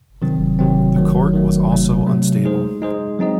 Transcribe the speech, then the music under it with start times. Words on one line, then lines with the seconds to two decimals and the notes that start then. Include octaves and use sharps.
The court was also unstable.
0.22 C3 D#3 F#3 C4
0.59 C3 D#3 F#3 C4
0.96 D#3 F#3 A3
1.33 D#3 F#3 A3
1.70 C3 F#3 A3
2.07 C3 F#3 A3
2.45 G#3 D#4 G#4 C5
2.82 G#3 D#4 G#4 C5
3.19 F#3 C4 D#4 G#4 D#5